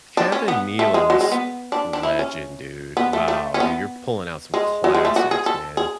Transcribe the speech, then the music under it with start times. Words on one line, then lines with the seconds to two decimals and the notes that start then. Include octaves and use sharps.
Kevin Nealon was legend, dude. Wow, dude, you're pulling out some classics, man.
0.17 D4
0.32 C#4
0.48 B3
0.79 A3
0.94 G#3
1.10 F#3
1.21 G#3
1.32 B3
1.72 D4
1.93 D4
2.03 E4
2.19 C#4
2.97 B3
3.13 A3
3.28 A3
3.54 C#4
3.60 B3
4.54 G#3
4.84 F#3
4.94 G#3
5.05 A3
5.16 F#4
5.31 G#4
5.46 A4
5.77 G#4